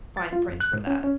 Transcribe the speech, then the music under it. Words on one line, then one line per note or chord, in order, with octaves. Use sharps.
fine print for that.
A6
F4
F2
F#6
G#2
C#4
C#4